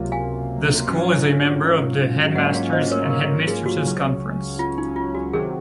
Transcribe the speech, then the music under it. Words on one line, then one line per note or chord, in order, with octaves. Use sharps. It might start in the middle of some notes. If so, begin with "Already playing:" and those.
The school is a member of the Headmasters' and Headmistresses' Conference.
Already playing: C#2 C3 F#3 A#3 F4
F5 G#5
G#2 F#3 C#4 F4
G#2 F#3 A#3 C#4 F4 D#5 F#5
C#5 F5
C5 D#5
A#4 C#5
A#4
G#4
F#4
C#2 C#3 F#3 C#4
F4
D#4
F4
F#4
C3 D#3 F#3 G#4